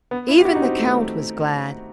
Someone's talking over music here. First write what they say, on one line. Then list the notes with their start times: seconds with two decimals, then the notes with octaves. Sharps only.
Even the Count was glad.
0.11 B3
0.28 E4
0.40 G4
0.45 F#4
0.55 D#4
0.62 C4
0.79 A3